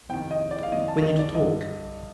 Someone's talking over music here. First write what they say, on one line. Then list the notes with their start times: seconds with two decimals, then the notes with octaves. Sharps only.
We need to talk.
0.09 F2 C3 D#3 G5
0.31 D#5
0.51 D5
0.63 F5
0.72 F2 C3 D#3 D#5
0.88 A5
1.04 D#5
1.19 D5
1.35 G2 D3 D#5